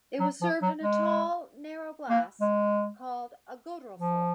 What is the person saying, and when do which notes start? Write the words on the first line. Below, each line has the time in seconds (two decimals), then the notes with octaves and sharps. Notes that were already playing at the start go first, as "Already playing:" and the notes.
It was served in a tall, narrow glass called a "Goderulffe".
0.20 F#3
0.41 F3
0.62 F#3
0.83 G#3
2.10 A#3
2.41 G#3
3.99 F3